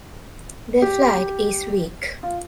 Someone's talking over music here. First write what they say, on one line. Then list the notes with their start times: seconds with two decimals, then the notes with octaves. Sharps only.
Their flight is weak.
0.82 G4
2.23 F4